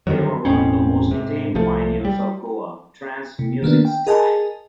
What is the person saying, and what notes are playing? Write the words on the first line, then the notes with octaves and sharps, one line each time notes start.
They were one of the most acclaimed pioneers of Goa Trance music style.
G2 D3 D#3 F#3
E1 A2 C4 C#4
G#2 C3
C2 F3 A3
G3
C3
D#3 A#3 B3 D4
G5
G#4 A#4 D#5 G#5 A5